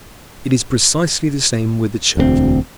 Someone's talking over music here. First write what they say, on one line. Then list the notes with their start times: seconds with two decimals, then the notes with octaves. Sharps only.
It is precisely the same with the Church.
2.17 E1 D2 G3 C4